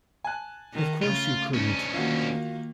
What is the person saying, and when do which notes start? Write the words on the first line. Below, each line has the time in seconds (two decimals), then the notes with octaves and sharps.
Of course you couldn't.
0.24 G#5 A5 F#6
0.74 D#3
1.03 C#3 A3 F4
1.54 D2 C#4
1.93 D#3 A#3 F4 F#4